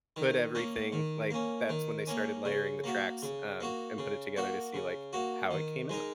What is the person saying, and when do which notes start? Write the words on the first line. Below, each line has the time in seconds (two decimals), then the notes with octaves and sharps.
put everything like, that's when they started layering the tracks, um, and put it together to see, like, how it came out.
0.16 D#3
0.55 A#3 C#4
0.93 D#3
1.31 A#3 C#4
1.69 D#3
2.07 A#3 C#4
2.45 C#3
2.84 A#3 F#4
3.22 C#3
3.60 A#3 F#4
3.98 C#3
4.36 A#3 F#4
4.74 C#3
5.13 A#3 F#4
5.51 D#3
5.89 G#3 D#4 A#4